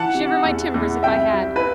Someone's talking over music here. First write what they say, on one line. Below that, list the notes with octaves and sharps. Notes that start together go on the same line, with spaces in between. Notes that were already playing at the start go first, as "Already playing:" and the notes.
Shiver my timbers if I had.
Already playing: E3 F#5 A5
C3
E2
E2
C2 E5 G5
G3
B4